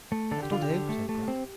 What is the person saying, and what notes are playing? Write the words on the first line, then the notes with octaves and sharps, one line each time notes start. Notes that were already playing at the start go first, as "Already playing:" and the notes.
"That'll do," said Pratt.
A3
D3 A4
G4
D3 F4
G4
D3
A3
A3
C4